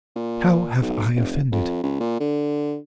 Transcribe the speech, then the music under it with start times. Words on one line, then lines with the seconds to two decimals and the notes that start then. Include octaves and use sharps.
"How have I offended?"
0.15 A#2
0.81 B1
1.16 F1
1.52 F2
1.83 C#2
2.00 A#2
2.20 D3